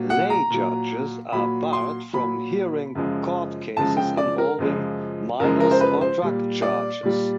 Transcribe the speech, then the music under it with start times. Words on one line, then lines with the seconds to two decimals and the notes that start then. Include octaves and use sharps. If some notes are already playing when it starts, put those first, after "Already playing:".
Lay judges are barred from hearing court cases involving minors or drug charges.
Already playing: A#2 F#3
0.10 F#5
0.30 A#5
0.50 A#2 F#3
1.32 A#2 F#3 B5
1.73 C6
2.13 A#2 F#3 B5
2.95 F#2 C#3 F3 G#3
3.77 F#2 C#3 F3 G#3 A5
3.97 G5
4.17 D5
4.38 A#4
4.58 F#2 C#3 F3 G#3
5.40 F#2 C#3 F3 G#3 A#4
5.60 A#4
5.71 C5
5.81 B4
6.01 C5
6.22 A#2 G3
6.62 D5
7.03 A#2 G3